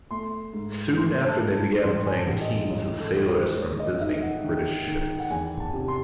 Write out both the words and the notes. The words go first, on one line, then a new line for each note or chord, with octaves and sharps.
Soon after they began playing teams of sailors from visiting British ships.
A3 C6
G#2
A3 C6
A5
G#2
A5
A1 C6
G#5
A5
A1
D#5
A1
A4
A1
C5
G#3 C#5
D#5
D#5
D#4 E5
F#5
D#3
D#3
F#5
E2 G#5
A5
C3
C6